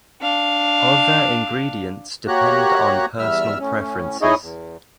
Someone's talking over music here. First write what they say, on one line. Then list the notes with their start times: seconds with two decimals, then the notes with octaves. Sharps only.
Other ingredients depend on personal preferences.
0.22 D4 F5
2.28 A#3 F#4 G4 C#5 A#5 F#6
3.19 E2 G3 E5 E6 F6
3.60 A2 C#4
4.21 D#4 E4 G#4 C#5 D#5
4.42 E2